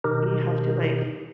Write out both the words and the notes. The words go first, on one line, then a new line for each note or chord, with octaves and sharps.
you have to like,
B2 D#3 D#4 G4 A#4